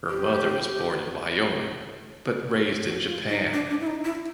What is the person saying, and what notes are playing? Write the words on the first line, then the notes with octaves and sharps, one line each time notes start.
Her mother was born in Wyoming but raised in Japan.
G4
F#4
F4
D#4
D4
D4
E4
D#4
E4